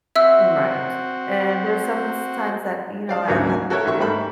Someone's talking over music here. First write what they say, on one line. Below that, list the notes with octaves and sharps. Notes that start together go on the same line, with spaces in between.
M right, and there's sometimes that, you know, I've had
C4 F#4 E5 E6
D5 F5 A5
D2 G#2 C#3 F#3 A#3 C#4
G#5
F#4 A4 A#4 C#5 E5
A1 D#3 E5 C#6
G#2 G3 A3 E5 A5 B5